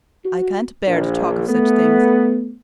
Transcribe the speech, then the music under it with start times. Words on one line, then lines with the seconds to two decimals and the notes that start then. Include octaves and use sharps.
I can't bear to talk of such things.
0.25 F#4
0.87 A#1
1.49 A3 B3